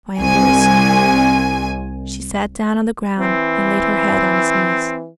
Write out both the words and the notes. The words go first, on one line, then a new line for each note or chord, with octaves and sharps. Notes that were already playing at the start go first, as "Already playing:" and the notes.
I am very sorry.' She sate down on the ground, and laid her head on his knees.
C2 G#5
E3 C4